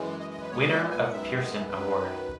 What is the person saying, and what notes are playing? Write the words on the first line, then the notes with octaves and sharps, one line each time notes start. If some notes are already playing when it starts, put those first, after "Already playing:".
Winner of Pearson award.
Already playing: F#2 E3 G#3
D#5
D#5
B4
A#2 G#3 B3 C#5
D#5
E5
G#5
F#5
F#2 D#3 G#3 B3 E5
E5
D#5
E5
B4
F#2 D#3 F#3